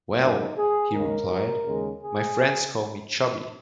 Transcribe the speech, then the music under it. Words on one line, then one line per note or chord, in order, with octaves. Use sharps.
"Well", he replied, "my friends call me 'Chubby'".
F#2 C#3 A#3 D#4
G#4
D#2 C#3 G#3 A#4
D#2 C#3 G#3
G#4